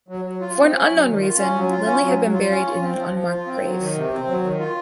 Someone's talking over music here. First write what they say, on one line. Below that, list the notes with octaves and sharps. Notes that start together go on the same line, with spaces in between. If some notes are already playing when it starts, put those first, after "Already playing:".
For an unknown reason, Lindley had been buried in an unmarked grave.
F#3
F#3
F4
C4
C#4
F#3
D#3
F4
C#4
F#3
F4
C#4
F#3
F#3
F4
C#4
F4
C4
F3
F3
F4
C4
F#3
D#3
C3
C4
F#3
D#3
F4